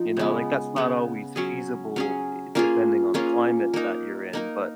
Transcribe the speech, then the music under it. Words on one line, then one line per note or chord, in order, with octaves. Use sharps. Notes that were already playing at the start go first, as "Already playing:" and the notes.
you know, like, that's not always feasible, i depending on the climate that you're in, but
Already playing: F3 D#4
C#3 G#3 B3
C#3 G#3 B3
F#3 C#4 G#4
F#3 C#4 G#4
A#3 C#4 F4 G#4
A#3 C#4 F4 G#4
A#3 D#4 A#4
A#3 D#4 A#4